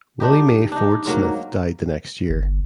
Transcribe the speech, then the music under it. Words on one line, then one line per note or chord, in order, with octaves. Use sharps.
Willie Mae Ford Smith died the next year.
D4 D#4 G4
D4 D#4
G#2 F#3 A#3
G1